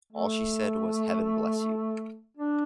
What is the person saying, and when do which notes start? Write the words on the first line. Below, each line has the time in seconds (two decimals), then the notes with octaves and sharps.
All she said was 'Heaven bless you!
0.12 A3
2.37 D4